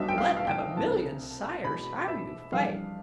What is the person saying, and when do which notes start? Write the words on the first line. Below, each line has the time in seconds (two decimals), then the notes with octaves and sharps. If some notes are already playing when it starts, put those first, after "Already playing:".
Blood of a million sires! how you fight!
Already playing: B1 B2 G3 D4 E5
0.08 G5
0.18 F5
0.37 F5
0.47 G5
0.77 C2 C3 E3 A5
1.64 E1 E2 B2 B5
2.08 E5
2.52 F2 E3 G3 D4 F5